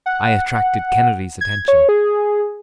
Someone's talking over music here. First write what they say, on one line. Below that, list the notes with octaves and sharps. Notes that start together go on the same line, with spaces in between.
I attracted Kennedy's attention.
F#5
G#6
C#5
G#4